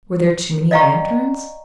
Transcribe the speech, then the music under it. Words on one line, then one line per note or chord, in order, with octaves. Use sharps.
Were there too many lanterns?
D5 D#5 F5 G5 A#5 C#6